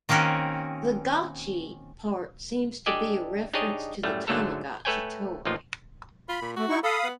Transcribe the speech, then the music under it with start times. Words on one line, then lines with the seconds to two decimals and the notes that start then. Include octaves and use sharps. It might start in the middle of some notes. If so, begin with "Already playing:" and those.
The "gotchi" part seems to be a reference to the Tamagotchi toy.
0.09 D#3 A#3 C4 C#4 D#4 F#4
2.86 D4 G4 A4 D5 D#5 G#5
3.53 D4 D#4 G4 G#4 C#5 D#5
4.03 F#2 A2 G3 A3
4.27 G#2 D3 F#3 A3 A4 A#5
4.85 A3 A4 B4 C#5 G5 G#5
5.45 A1 A#2 F3 D#4 F4
6.29 F4 B5
6.42 A#2
6.56 A3 F#4
6.69 D#4 E4 C#6
6.84 A4 F5 B5 D#6
7.04 B3